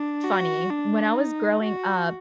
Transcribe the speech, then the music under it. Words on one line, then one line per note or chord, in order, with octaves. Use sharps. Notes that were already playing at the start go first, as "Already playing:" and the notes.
funny, when I was growing up,
Already playing: D4
F#4
D4
D#4
F#4